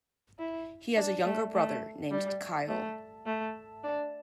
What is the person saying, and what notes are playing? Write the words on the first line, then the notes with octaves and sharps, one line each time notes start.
He has a younger brother named Kyle.
E4
D4
A3
A3
G3
A3
A3
D4